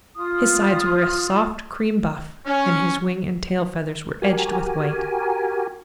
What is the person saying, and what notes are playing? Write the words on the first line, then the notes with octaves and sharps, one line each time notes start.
His sides were a soft cream-buff, and his wing and tail feathers were edged with white.
F4 D#6
C#4
F#4 G4 A#4 G#5